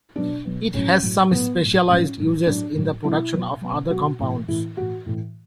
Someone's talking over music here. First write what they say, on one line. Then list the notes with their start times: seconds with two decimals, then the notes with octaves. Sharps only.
It has some specialized uses in the production of other compounds.
0.16 B2 F#3 D4
0.45 B2 F#3
0.73 A2 F#3 C#4
1.02 A2 F#3
1.31 A2 F#3 B3
1.60 A2 F#3
1.88 A2 F#3 C#4
2.18 A2 F#3
2.46 A2 F#3 D4
2.75 A2 F#3
3.04 B2 F#3 E4
3.33 B2 F#3
3.61 B2 F#3
3.90 B2 F#3 F#4
4.19 A2 E3
4.48 A2 E3 E4
4.77 A2 E3 F#4
5.06 A2 E3